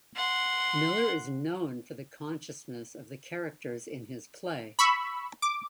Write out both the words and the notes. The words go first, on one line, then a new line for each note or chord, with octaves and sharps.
Miller is known for the consciousness of the characters in his play.
F#5 C6
B5 C#6 E6
D6